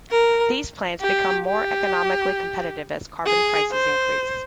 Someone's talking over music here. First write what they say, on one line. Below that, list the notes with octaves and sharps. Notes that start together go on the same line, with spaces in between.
These plants become more economically competitive as carbon prices increase.
A#4
G4
G4
G#4
C5